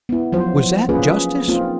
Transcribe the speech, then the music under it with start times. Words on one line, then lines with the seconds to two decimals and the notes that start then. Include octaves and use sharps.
Was that justice?
0.09 B3 E4
0.32 F3 F#3 F4 C5
0.89 A#3 C#4 F4 G#4 B4
1.48 A#3 C4 D#4 F4